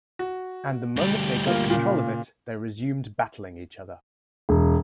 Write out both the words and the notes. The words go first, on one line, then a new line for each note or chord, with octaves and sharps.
And the moment they got control of it, they resumed battling each other.
F#4
D2 G3
A#3 F4
A#2 C#3
E1